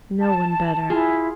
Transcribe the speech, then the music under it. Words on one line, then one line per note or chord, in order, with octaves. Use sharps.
No one better.
A5
E4 F4 G#4